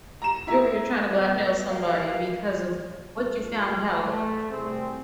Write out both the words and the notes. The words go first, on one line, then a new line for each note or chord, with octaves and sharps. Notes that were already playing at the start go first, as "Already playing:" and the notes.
You're over here trying to blackmail somebody because of what you found out.
A#5 E7
E4 E5 A#5
B2 B3
G3 A#3 F5
F2
A3
C2 C4 G#4